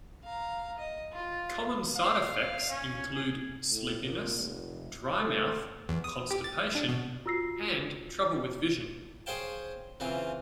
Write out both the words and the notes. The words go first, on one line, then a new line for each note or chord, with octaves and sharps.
Common side effects include sleepiness, dry mouth, constipation, and trouble with vision.
F5 A#5
D#5
F4
F5
C#4
G#4
A2
A#2
F1
A3
E2
D#6
G4
A6
D4
B2
F4 F#4 E6 A#6 C7
G#4 C5 C#5 F5 G5 A5
C#3 E3 C4 F4